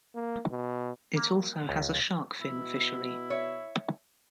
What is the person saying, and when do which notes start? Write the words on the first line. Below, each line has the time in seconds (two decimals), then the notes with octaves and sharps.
It also has a shark fin fishery.
0.15 A#3
0.51 B2
1.16 A#3
1.69 C#2
2.42 B2 E4
3.30 C#5 E5